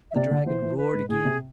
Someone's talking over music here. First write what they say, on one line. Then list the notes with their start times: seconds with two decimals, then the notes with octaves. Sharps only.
The dragon roared again.
0.11 E5
0.15 C3 D5
0.31 D3
0.46 E3 C5
0.62 E3
0.77 B4
0.94 G#2
1.09 A2 G#4
1.25 C3